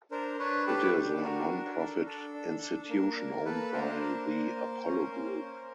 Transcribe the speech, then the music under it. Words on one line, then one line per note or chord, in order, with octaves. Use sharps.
It is a nonprofit institution owned by the Apollo Group.
D4 A#4 C5
D4 B4 C#5
G4 A4 B4
D4
F#4 A#4
D4
A4
D4 A4
D4
D4
A#3 A#4
A#3 A#4
A#3 A4 B4
D4 A#4 C5
A#3
A#3
A#3
C#4
A#3
C#4